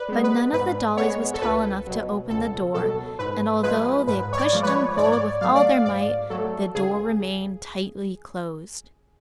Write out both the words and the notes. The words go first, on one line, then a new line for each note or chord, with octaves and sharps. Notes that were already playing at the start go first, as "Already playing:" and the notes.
But none of the dollies was tall enough to open the door and, although they pushed and pulled with all their might, the door remained tightly closed.
Already playing: B4 D5
G#3 B3
B4
G#2 B4
G#3 B3 C#5
A4
C#2 B4
B2 F#3
C#2 A4
B2 F#3 A4
G#2 B4
F3 G#3 B4
G#2 B4
C#5
D5
F3 G#3
B4
C#5
G#2 D5
C#5
D5
F#3 A3 F5
D5
F5
G#2 D5
F#3 A3 A4
C#2 G#4